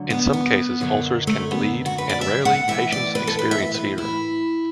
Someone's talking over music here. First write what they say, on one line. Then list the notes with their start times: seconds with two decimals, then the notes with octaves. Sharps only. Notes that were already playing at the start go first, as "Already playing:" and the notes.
In some cases, ulcers can bleed and, rarely, patients experience fever.
Already playing: D2 D3 F#3
0.10 B3
0.33 B3
0.80 F#2 D3 F#3
1.27 A3
1.51 B3
1.86 F#4
1.98 B4
2.09 D5
2.21 E5
2.45 F#5
2.68 A2 E3 E5
2.92 D5
3.15 B4
3.27 A4
3.39 B4
3.51 E5
3.74 B4
3.98 E4